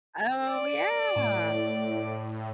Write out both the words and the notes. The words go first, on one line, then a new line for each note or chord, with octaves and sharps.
Oh, yeah.
D5
A2